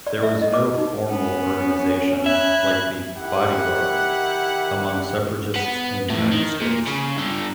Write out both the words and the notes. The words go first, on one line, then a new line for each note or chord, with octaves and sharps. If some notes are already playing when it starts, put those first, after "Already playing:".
There was no formal organization like the Bodyguard among suffragists in the United States.
D5
E5
D#5
D6
D#4
B3 C#4
E5 B5 F#6 G#6
D#3 E4 G4 F#5
B4 F#5
A2 E3
D#3
A#2
C#3
G2 D3